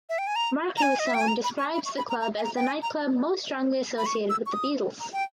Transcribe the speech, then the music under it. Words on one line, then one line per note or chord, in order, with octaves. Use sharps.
Mark Lewisohn describes the club as the nightclub "most strongly associated with The Beatles".
E5
G5
G#5
A#5
A#5
G#5
D#5
E5
G5
G#5
A#5
B5
C#6
B5
C#6
B5
A#5
A#5
G#5
A#5
G5
G#5
A#5
B5
C#6
E6
C#6
D#6
A#5
G5